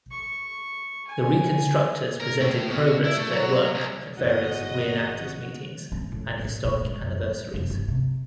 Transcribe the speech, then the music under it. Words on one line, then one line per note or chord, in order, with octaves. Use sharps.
The reconstructors presented progress of their work at various reenactors' meetings and historic anniversaries.
C#6
G#5
A#4
A2
B2
E4
A3
F#3
C2
G1 E2 F#4 D#5
C4
A2
A#1
A#2
G#3
F#2
C#2
F1
G1
C3